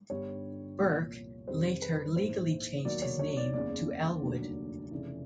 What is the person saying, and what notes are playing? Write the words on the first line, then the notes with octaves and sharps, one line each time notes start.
Burke later legally changed his name to Ellwood.
G1 G2 D3 G3 C#5
C2 A#2 F3
F2 C3 D#3 G3 C5
B4
A#1 G#2 E3 C5
E1 D#2 D#3 F#3 D5
C#5
C#5
D5
F#1 E2 C#3 D5
F1 D#2 D3 F#3
F1 F2 C#3 E3